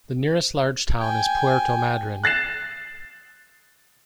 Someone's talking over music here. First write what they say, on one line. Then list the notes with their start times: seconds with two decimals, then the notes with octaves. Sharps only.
The nearest large town is Puerto Madryn.
0.98 G5 G#5
2.24 F#6 A6 C7 E7